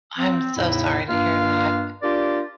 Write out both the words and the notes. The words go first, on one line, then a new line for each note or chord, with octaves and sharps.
I'm so sorry to hear that.
C4
E2 A2 C#3 D#4 E4
G2 A#3 D4 F4 F5
D4 F4 G4 A#4 D5